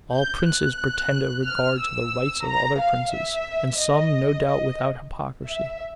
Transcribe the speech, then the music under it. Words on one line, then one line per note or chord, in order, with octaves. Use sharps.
All princes pretend a regard to the rights of other princes; and some, no doubt, without hypocrisy.
G6
F#6
F6
E6
A#5
F5
E5
D#5
D#5
E5